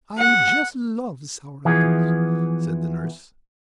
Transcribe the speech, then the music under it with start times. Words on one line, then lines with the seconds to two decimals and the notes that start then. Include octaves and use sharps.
"I just love sour apples," said the nurse.
0.18 F#5
1.65 E3 F3 B3 G#4